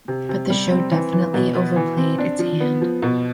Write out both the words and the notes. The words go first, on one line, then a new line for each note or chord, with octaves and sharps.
But the show definitely overplayed its hand.
C3
C3
G3
C4
E3
E3
B2
B3
E3
C4
D4
F3
B3
F3
B2